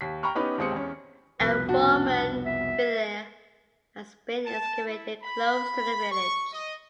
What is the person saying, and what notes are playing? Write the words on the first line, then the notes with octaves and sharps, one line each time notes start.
A Roman villa has been excavated close to the village.
D#2 B6
G5 A#5 B5 C#6 F6
B3 C#4 D#4 G4 B4
D#2 G#3 C4 D#6 C#7
E2 C#4
C2 F2 B2 B4
D4 F#4
E5
A5
E4
B5
C#6
D#5